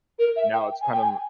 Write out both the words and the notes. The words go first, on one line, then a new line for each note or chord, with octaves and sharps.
Now, it's kind of
A#4
E5
G5
G#5
G5
G#5